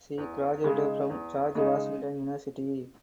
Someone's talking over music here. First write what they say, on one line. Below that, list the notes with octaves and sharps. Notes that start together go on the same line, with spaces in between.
She graduated from George Washington University.
E2
C#3 G#3 D#4
E2
C#3 G#3 D#4